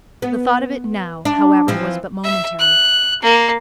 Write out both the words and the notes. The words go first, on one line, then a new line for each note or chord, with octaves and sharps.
The thought of it now, however, was but momentary.
B3
D4
E3 F3 C4
E5
F#6
A#3